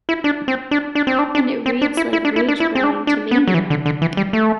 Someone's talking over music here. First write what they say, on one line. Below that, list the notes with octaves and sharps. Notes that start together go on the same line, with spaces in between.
And it reads like rage growing to mania!
E4
D4
C4
D4
D4
C4
D4
D4
C4
D4
E4
E4
D4
E4
D4
E4
C4
D4
D4
B3
F#3
E3
D3
D3
E3
G3
A3